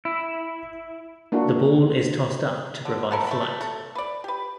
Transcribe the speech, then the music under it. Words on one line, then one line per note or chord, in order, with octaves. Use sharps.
The ball is tossed up to provide flight.
E4
A#3 D4 E4 F#4
D3
B3 A4 A#4
A3 B5
A4
B4 D5
G4 B4